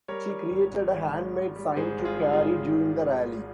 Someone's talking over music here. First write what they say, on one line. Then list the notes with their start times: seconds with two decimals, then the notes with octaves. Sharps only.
She created a handmade sign to carry during the rally.
0.08 G3 A#4 C#5
0.30 G3
0.51 G#1
0.72 G#1
0.93 G#2
1.14 G#2
1.35 G#1
1.56 G3
1.77 G#2 G#4 C5
1.98 G#1
2.05 F4 G#4
2.19 G3
2.33 F4 G#4
2.40 G#1